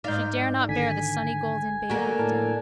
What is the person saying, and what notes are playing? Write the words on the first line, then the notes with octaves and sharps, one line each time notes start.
She dare not bear the sunnygolden babe of day.
G#2 D#4 D5 F5 G6
G#1 D3 G#5 B6
D3 A#3 F#4
A2 A#4 A5